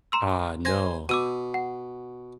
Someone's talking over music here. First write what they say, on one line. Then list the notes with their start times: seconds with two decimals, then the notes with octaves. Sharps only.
Ah, no.
0.12 A#5 C6 E6
0.65 C5 G#5 G#6 A#6
1.09 B2 D6 E6 D#7
1.54 F#5